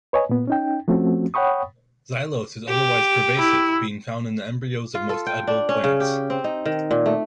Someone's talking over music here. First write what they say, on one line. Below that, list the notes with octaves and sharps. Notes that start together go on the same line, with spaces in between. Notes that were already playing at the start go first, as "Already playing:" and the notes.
Xylose is otherwise pervasive, being found in the embryos of most edible plants.
B4 C#5 D#5 G#5
A#2 B3
C#4 D#4 G5
F3 A3 C4 C#4 F#4
C#5 F#5 G5 B5 C#6 D#6
G4
E4
F4
A4
G5
D4
C#4
C#3
G4
C4
D#4
D#3
A#2
A3